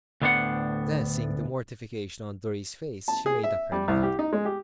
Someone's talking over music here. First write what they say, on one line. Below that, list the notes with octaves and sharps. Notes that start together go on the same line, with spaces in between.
Then seeing the mortification on Dorry's face, she made up her mind.
D2 A2 B3 D4 C5 F#5
A5
G#4
E5
G3
C2
G4
D#4
G#3
G4